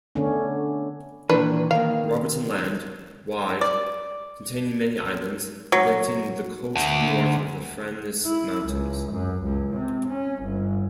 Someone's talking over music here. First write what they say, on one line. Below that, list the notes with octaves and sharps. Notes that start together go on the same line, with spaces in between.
Robertson Land, wide, containing many islands, indenting the coast north of the Framnes Mountains.
D3 A3 B3 C#4 D4
A#2 D#3 E3 D4 B4
D#3 A#3 F5
D5
F#3
D2
E4
C#2
F#2
C#2
C3
C#4
G1